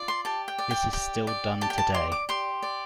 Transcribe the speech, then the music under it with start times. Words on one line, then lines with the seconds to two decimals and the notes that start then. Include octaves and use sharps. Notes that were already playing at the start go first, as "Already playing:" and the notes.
This is still done today.
Already playing: F4 D5
0.08 C6
0.25 G4 A5
0.48 G5
0.59 D5
0.71 G5
0.93 G4 G5
1.27 D5
1.61 G4 A5
1.70 G5
1.78 A5
1.94 D5 C6
2.12 D6
2.29 G4 C6
2.63 D5